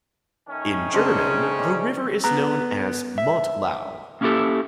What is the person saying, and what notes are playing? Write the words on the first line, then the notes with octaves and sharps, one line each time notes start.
In German the river is known as "Mottlau".
D#3 A3 C#4
C#3 D4 C5 D#5
D5 C#6
B3 B4 A#5
E5
A#3 C#4 D#4 E4 G4 A4